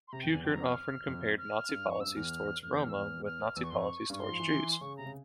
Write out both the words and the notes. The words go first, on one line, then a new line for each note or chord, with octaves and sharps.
Peukert often compared Nazi policies towards Roma with Nazi policies towards Jews.
C6
C3 A#5
F2 G5
E2 G#5
F2 G5
A#5
F6
F2
F6
G2
F2
C#6
G2 E6
E2 F6
F2 F6
E2 G6
E2 F6
E6
E2 F6
F6
E2 E6
C#6
F2 C6
C#6
G2 C#6
G#2 C6
F3
E3
E3
C6
C#3 C#6
C3 A#5
C#3